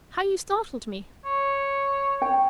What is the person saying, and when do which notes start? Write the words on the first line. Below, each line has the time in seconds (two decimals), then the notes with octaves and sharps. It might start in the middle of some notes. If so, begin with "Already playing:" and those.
How you startled me!
1.25 C#5
2.22 G5